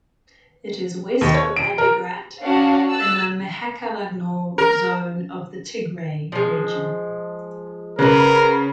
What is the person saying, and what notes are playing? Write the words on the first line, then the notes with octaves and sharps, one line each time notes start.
It is west of Adigrat, in the Mehakelegnaw Zone of the Tigray Region.
D#2
C#5
D7
A#4
C#4 D4 F#4 F5 F#5
E6 F#6 A6
A#4
F3 G#3
C#3 A#4 B4 F#5